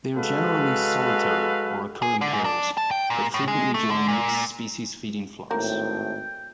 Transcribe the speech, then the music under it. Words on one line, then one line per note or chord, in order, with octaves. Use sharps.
They are generally solitary or occur in pairs, but frequently join mixed-species feeding flocks.
G#3 F#4 A4 B4 F5
G#4
D3
G#2
D4
A5
G5
A#2
A2
G#3
A3
D3
A#2
G#1 A2 A#3 A#4 G5